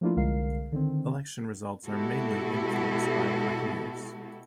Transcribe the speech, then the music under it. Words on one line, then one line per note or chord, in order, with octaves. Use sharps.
Election results are mainly influenced by Ahirs.
F3 A3 A#3 D4 E4 F4
C2 D3 G#3 A#4 F5 C7
D3 D#3 C4
B2 G#3 E4 F#4 G4 A4